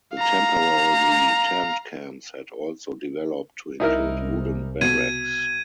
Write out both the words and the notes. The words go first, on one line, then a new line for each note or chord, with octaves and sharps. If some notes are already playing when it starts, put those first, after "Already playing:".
The temporary tent camps had also developed to include wooden barracks.
F5 A#5
C2 D#4 E4 A#4
B2 G#6 D#7